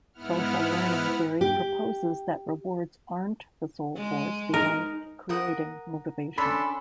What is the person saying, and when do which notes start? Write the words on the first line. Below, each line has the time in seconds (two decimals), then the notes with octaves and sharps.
Social Learning theory proposes that rewards aren't the sole force behind creating motivation.
0.13 G#2 B3 E4 F#5 F6
1.41 G4
3.96 G#3
4.54 D#4 A#4
5.29 A#4 F#5 D#6
6.38 C#4 D4 A4 B5 C6 B6